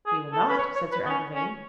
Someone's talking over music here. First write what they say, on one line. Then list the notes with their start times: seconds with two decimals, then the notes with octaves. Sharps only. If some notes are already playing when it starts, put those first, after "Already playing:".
"We will not," said Sir Agrivain.
0.06 G#4
0.32 A4
0.48 B4
0.58 C#5
0.75 C#5
0.92 B4
1.05 B3
1.09 C#4
1.35 C#4